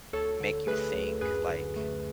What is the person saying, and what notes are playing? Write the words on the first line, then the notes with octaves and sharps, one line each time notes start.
make you think, like,
D2 A4 C#5
D3
A3 G#4 B4
D2
F#2 G#4 B4
D3
A3